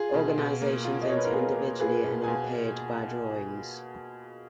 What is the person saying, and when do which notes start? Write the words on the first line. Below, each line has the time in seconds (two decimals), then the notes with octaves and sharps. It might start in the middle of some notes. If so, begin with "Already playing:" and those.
Organizations enter individually and are paired by drawings.
Already playing: F4 G#4
0.14 B2
0.38 B2
0.62 A#3
0.85 F4
1.02 D#5
1.09 B2 C#5
1.17 B4
1.25 A#4
1.32 B2 G#4
1.56 A#3
1.80 F4 G#4 B4
2.04 B2
2.23 B2 G#5